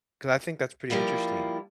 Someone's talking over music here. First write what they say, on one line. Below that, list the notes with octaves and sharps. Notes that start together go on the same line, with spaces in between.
'cause I think that's pretty interesting.
F3 G3 A#3 E4 F4